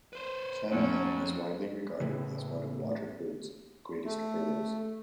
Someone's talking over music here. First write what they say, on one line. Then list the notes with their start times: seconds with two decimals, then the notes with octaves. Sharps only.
Shanahan is widely regarded as one of Waterford's greatest hurlers.
0.13 B4 C5
0.71 F2 F#3 C#4
2.00 A2 C#3 E3
4.05 A3